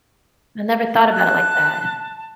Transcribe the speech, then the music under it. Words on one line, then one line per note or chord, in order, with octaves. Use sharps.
I never thought about it like that.
A5 F#6